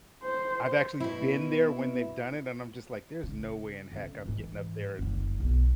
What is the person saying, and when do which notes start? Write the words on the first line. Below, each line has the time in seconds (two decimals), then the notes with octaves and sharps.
I've actually been there when they've done it, and I'm just like, "There's no way in heck I'm getting up there."
0.24 C5
1.00 B2 E4
3.23 C#3
3.92 D3 C#4
4.26 G#2 E3
4.99 F#1 D3
5.40 B1